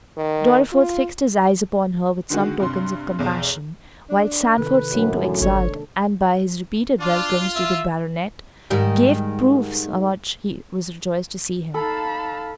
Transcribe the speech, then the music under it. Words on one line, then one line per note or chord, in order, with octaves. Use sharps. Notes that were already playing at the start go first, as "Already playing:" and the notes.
Dorriforth fixed his eyes upon her with some tokens of compassion, while Sandford seemed to exult, and by his repeated "Welcomes" to the Baronet, gave proofs how much he was rejoiced to see him.
D#3
F4
D3 D#3 G#3 F#4
G2 C3 C6
B1 E2
D4
C3 D#3 A4 B4
F#2 A2 G#3 A#3 D4
G1 D4 A4 C#5
D4 F4
E5
G#2 D#3 G3
D#4 A4 F5 A5 B5